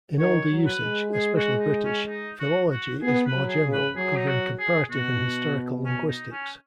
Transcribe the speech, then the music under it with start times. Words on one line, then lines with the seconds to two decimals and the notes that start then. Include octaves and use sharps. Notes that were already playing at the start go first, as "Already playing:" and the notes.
In older usage, especially British, philology is more general, covering comparative and historical linguistics.
0.19 D#3 C#5
0.51 F#3
0.66 B4
0.82 G#3
1.14 G#4
1.37 F#4
1.60 D#4
1.85 C#4
2.08 D#4
2.40 F#4
2.70 F#4
3.02 B3 G#4
3.26 B4
3.34 F#3
3.49 G#4
3.65 C#3
3.73 B4
3.96 F#3 G#4
4.16 D#4
4.27 F#4
4.59 G#4
4.90 B2 F#4
5.85 C#4
6.08 D#4
6.32 C#4